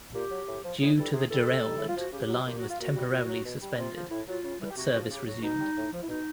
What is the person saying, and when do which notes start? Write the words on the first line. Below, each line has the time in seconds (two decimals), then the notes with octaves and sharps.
Due to the derailment the line was temporarily suspended, but service resumed.
0.13 A#2 G4
0.30 F#3
0.47 A2
0.63 F3
0.80 A2 G#4
0.97 E3 G3 A4
1.13 C3 G#4
1.29 E3 G3 A4
1.46 B2
1.63 G3 D#4
1.77 C#3 E4
1.89 F4
1.96 F3 F#4
2.12 C#3 G4
2.29 F#3
2.46 A#2 G4
2.57 F#3 F#4
2.69 F4
2.79 A#2 F#4
2.95 G3
3.11 A#2
3.28 F#3
3.45 B2
3.61 G3
3.77 C3 F4
3.95 F3
4.10 A2 E4
4.27 F#3 F4
4.44 C#3
4.60 E3 G3
4.71 G4
4.76 C3 F#4
4.94 F3
5.09 C#3 G4
5.26 F#3 F#4
5.42 B2 D#4
5.59 G3
5.76 A2
5.92 F3
6.02 E4
6.08 B2 D#4